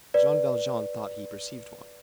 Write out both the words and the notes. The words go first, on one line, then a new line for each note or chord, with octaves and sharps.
Jean Valjean thought he perceived one.
B4 D5